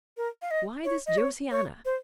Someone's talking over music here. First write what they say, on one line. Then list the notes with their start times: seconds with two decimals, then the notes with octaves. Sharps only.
Why this Josiana?
0.17 A#4
0.42 F5
0.51 D#5
0.85 C#5
1.06 D#5
1.18 C#5
1.51 C#5
1.85 C5